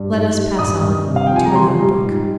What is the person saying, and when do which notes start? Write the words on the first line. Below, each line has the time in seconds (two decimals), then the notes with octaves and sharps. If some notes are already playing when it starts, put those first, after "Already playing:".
Let us pass on to another book.
Already playing: G2
0.11 G#2
0.35 G3
0.59 G2 D#6
0.83 G2
1.07 C3
1.16 F5
1.27 F3 G5
1.36 G#5
1.45 A#5
1.56 G3 C6
1.80 G3
2.03 G#2